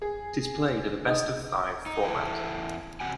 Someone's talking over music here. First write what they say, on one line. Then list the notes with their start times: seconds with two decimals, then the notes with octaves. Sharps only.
It is played in a best-of-five format.
0.02 G#4
1.08 D#4 D#5 D#6
1.86 D#4
2.04 E2 E4 A4
3.00 C3 C4 F#4 F#5 G#5